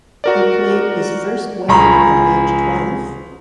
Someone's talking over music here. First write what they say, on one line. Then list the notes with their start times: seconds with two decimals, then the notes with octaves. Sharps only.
He played his first wedding at age twelve.
0.24 F#4 A#4 D5
1.68 C#2 G#4 A#5 B5